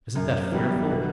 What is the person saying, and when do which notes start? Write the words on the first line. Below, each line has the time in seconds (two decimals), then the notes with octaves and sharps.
Isn't that fearful?
0.15 F#2
0.52 E3 G3 B3
0.90 B2